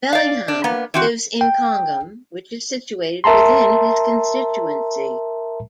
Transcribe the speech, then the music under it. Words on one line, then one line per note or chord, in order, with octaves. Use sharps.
Bellingham lives in Congham, which is situated within his constituency.
D5 F5
D4
A#3 B3
E3 C4 F#4
G5
A#4 E5 A5 A#5 C6